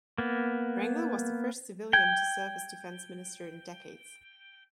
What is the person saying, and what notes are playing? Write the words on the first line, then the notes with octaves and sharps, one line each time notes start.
Rangel was the first civilian to serve as Defense Minister in decades.
A#3 B3
G5 G#6